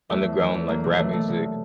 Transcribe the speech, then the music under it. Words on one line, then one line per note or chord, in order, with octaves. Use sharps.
underground, like, rap music,
E2 A3
F#3
E2
E2
F#3 A#3
B1
F#3 A3
F#3 A3
C2